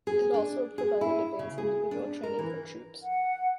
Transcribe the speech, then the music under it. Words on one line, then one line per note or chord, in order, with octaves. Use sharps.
It also provided advanced individual training for troops.
G#4
D4
G#4
E4
C#3
G#4
D4
A#4
E3
F#5